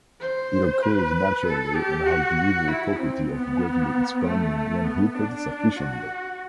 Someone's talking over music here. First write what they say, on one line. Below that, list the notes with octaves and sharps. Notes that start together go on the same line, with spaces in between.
It occurs naturally and has the unusual property of greatly expanding when heated sufficiently.
C5
B4
A4
G4
F#4
E4
C4
B3
A3
B3
D4
F#4